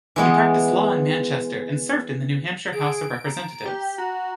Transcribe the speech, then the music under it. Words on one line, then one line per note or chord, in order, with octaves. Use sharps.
He practiced law in Manchester and served in the New Hampshire House of Representatives.
E3 G#3 B3
G#4 D7
A#5
G4
F#4 A#5